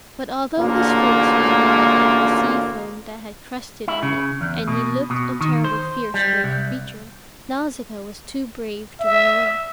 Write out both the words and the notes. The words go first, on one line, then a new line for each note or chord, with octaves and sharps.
But although his face was marred with the sea-foam that had crusted on it, and he looked a terrible, fierce, great creature, Nausicaa was too brave to run away.
A1 D2 A#2 C#3 A#3
E4
C#3
E2
B2
B2
D#3
C5
G3
C2
E5